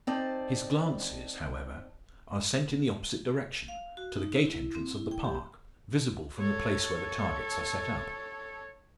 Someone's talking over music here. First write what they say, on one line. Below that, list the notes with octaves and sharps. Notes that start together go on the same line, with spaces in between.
His glances, however, are sent in the opposite direction--to the gate entrance of the park, visible from the place where the targets are set up.
C4 D#4 A4 C5 D5 A5
F5
F#4
D#4
E4
C4
E4
G5
G4
A4 C#5